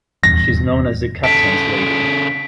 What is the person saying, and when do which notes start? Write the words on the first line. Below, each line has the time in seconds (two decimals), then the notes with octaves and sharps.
She is known as the Captain's Lady.
0.23 D#1 E2 G2 A#6
1.24 C#3 A4 B6 D7